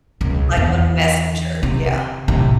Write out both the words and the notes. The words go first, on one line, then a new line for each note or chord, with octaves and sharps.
Like, on Messenger. Yeah.
E1 C#2
E2
C3
A2 C3